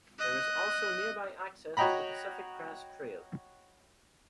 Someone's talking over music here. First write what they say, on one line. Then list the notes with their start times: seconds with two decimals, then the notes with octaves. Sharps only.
There is also nearby access to the Pacific Crest Trail.
0.19 D#5 F#6
1.77 F#4 C#5 D#5 G5 A#5 B5